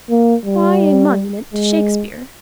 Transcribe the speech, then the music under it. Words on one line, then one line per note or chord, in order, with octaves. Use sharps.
Why a monument to Shakespeare?
A#3
G3
G#3